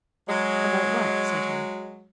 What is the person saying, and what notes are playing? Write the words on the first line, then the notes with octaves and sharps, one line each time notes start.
"About what?" said he.
F#3 G#3